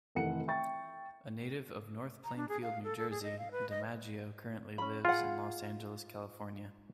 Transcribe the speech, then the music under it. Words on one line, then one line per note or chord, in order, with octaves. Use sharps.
A native of North Plainfield, New Jersey, DiMaggio currently lives in Los Angeles, California.
F1 D#3 E3 A4 F#5 C#7
E5 G5 C#6 A6
A#5
D4
G#4
F5
A4
A4
G#4
D#5
F5
B4
D#5
C#4 B5
F4 G#4 F#5